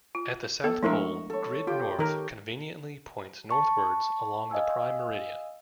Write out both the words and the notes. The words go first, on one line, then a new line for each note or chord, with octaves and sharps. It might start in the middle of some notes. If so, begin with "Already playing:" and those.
At the South Pole, grid north conventionally points northwards along the Prime Meridian.
F4
B3 A4
F3 G#3 A3 D4 E4 A#4 D#5 C#6
A4 C#5
F4 G4 G5
D#3 A#4
A5 C#6
D#5 F5 G#5 E6